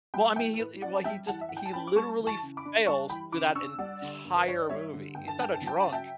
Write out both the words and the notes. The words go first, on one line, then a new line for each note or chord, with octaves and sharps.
Well, I mean, he l he well, he just he literally fails through that entire movie. He's not a drunk,
G3 G5 B5
E3 E5 G5
A4
A2 B4
C#4 D5 F#5
A5
G3 E5 G5
E3 F#5 A5
E5
A2 F#5
G5
A5
C#4 G5 B5
D6
G3 A5 C#6
E3
A5 C#6
C#3
B5 D6
D4
G3 A5 C#6
E3 G5 B5
C#3 B5 D6
D4 C#6 E6
G3 D5 F#5
D3
G2
B4
G2 C#5
D5
G3 C#5 E5
D3
G2 G5
A5
G2 G5
A5
F#3
G5
C#3 A5
E5 G5